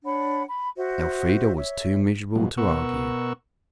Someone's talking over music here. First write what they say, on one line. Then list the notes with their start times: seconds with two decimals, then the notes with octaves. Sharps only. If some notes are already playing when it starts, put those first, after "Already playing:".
Elfrida was too miserable to argue.
0.04 D4 C#5 F#5 B5
0.47 B5
0.76 F#4 C5 E5
1.56 C#5 E5
2.36 B2 F3 F#3 G#3
2.58 B2 B3 A#4 F#5 C#6 E6